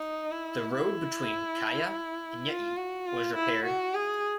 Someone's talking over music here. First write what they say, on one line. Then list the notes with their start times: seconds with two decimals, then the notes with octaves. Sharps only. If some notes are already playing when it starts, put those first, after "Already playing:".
The road between Kaya and Yei was repaired.
Already playing: D#4
0.31 E4
0.75 E4
2.49 F4
2.77 F#4
3.07 F4
3.35 E4
3.65 F#4
3.94 G#4